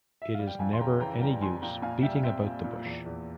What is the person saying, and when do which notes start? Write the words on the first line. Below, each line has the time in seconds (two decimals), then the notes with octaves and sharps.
It is never any use beating about the bush.
0.22 E5
0.34 G3 F5
0.47 G5
0.59 F2 F5 G#5
0.73 C6
0.80 C#3 G5 A#5
1.00 E3 G5 A#5
1.21 G3 G5 A#5
1.42 F2 G#5 C6
1.62 A#2 G5 A#5
1.82 A#2 F5 G#5
2.02 G3 E5 G5
2.23 C4 E5 G5
2.44 A#2
2.64 A#2
2.85 E2
3.06 E2